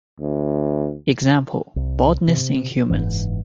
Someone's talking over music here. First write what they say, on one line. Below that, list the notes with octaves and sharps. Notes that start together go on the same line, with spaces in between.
Example: baldness in humans.
D2
C2
C3
F#1 C#2 G#2 E3